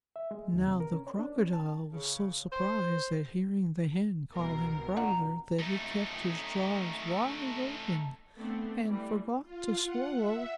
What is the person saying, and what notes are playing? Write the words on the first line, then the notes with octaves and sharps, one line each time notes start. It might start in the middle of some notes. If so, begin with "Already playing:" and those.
Now the Crocodile was so surprised at hearing the Hen call him Brother that he kept his jaws wide open and forgot to swallow his dinner.
E5
G#3
D#2
C3
A#4
C#4
C#5
D4
C#4
A5
C#3
C5
C2 B2 A#4
D4 F4 F#5 A#5
A3 D#4
A3 B3 C4 D4 A4
E3 G3 A3 D5
F4
F#5
E5